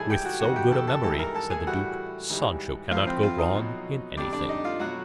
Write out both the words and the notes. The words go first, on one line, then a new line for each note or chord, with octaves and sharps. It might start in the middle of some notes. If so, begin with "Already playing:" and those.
"With so good a memory," said the duke, "Sancho cannot go wrong in anything."
Already playing: G#2 E3 G3 G#4 A4 G#5 A5
G4 G5
F#4 F#5
F2 C3 D#3 F#4 F#5
G4 G5
A4 A5
A4 A5
G#2 E3 G3 A4 A5
A#4 A#5
A4 A5
G#4 G#5
A2 E3 G3 F#4 F#5
G#2 E3 G3
A2 F3 F4 F5
C4 C5
F4 F5
D#4 D#5
B2 F#3
F2 D3 G3 D4 D5
D4 D5
D#4 D#5
F4 F5
B2 F#3 F#4 F#5